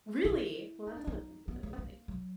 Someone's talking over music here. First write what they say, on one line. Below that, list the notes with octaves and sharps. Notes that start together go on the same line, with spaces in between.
Really? Well, that's not a bad thing to look like.
E4
D#4
D4
D#4
B3
A#3
B3
A#3
F#3